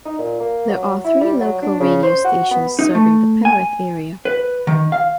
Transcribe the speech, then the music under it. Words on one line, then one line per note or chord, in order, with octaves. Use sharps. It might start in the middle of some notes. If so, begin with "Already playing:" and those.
There are three local radio stations serving the Penrith area.
D#4
A#2
A#3
F#3
E4
G3
F#3
D4
C#3
C5
F#4
B3
D#4
A3
G#5
B4
D#3
F5